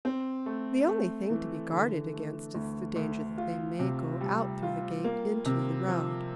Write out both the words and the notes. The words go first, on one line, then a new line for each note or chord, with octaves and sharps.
The only thing to be guarded against is the danger that they may go out through the gate into the road.
C4
A3
A3
E3
D3
A3
D2
D2
F4
C3
G3
F4
A#3
C3
F3